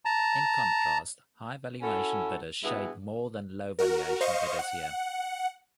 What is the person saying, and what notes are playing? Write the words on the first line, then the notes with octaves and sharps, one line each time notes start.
In contrast, high-valuation bidders shade more than low valuation bidders here.
A5 A#5
C#4 E4 F#4 A4
G2 B2 G#3 B3 E4 G#4
F#4 A#4
C5 D#5 F5 C#6
F#5